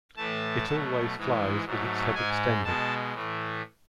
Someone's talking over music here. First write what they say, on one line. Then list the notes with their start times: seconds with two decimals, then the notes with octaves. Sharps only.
It always flies with its head extended.
0.17 A2 E3 A3 A5
0.66 B2 F#3 A3
1.15 G#2 E3 G#3
1.64 G#2 F#3 A3
2.14 G#2 G#3 G#5
2.64 B2 G#3 A5
3.13 A2 E3 A3